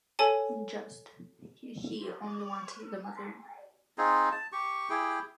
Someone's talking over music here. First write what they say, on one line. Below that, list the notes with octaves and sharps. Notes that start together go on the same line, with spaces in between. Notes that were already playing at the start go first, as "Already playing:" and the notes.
Just! He only wanted the mother.
A4 C#5 G#5 A5
C4 D#4 F4 G#4
A5
G4 C#6
E4 G4 G#4 G5